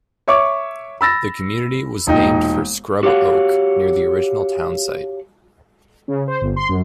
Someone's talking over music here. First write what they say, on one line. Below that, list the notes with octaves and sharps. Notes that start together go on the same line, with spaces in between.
The community was named for scrub oak near the original town site.
C#5 E5 C#6 D6
B5 E6 A6 A#6
E1 A#2 D#4 G5
F#4 G4 C#5 F5 F#5
C#3
C5
G1
C6
F#2